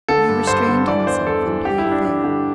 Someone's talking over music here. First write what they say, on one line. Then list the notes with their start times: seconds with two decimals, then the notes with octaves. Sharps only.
But he restrained himself and played fair.
0.08 D3 A4
0.28 G2
0.47 G2 C5
0.68 D3
0.87 E3 D5
1.07 E2 C5
1.26 E2 A4
1.46 E3
1.65 D3 G4
1.78 E4
1.85 G2
1.92 D4
2.05 G2 D4
2.24 D3 G4